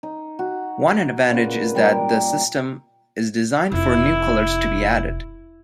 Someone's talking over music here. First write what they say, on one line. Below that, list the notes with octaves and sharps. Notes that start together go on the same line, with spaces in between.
One advantage is that the system is designed for new colors to be added.
D#4
F#4
A#2 C#3 B4
G3 A#4
F1 E4